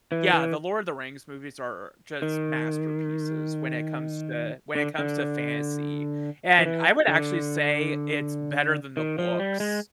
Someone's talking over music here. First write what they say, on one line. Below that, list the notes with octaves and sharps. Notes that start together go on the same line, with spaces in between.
yeah, the Lord of the Rings movies are just masterpieces when it comes to when it comes to fantasy, and I would actually say it's better than the books.
E3
E3
D#3
D3
D3
F3
E3
D3
D#3
F3
G3
G#3